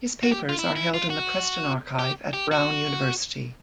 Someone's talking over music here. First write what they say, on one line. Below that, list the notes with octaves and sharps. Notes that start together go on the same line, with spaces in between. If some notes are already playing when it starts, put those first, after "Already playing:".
His papers are held in the Preston Archive at Brown University.
F#4
G4
F4
E4
E4
F4
F#4
G4
G4
F#4